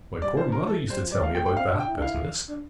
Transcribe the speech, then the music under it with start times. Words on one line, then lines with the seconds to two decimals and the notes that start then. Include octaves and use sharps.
My poor mother used to tell me about that business.
0.22 G3 D5
0.33 A3
0.37 C5
0.45 D3
0.52 A#4
0.56 D3
0.67 E3 A4
0.89 G3 C5
1.01 F3
1.12 G3 D5
1.23 A3 F5
1.35 A#3 G5
1.46 A3 G5
1.57 C4 F5
1.72 D4
1.80 G5
1.87 E4
1.97 D4
2.02 E4 F5
2.48 D4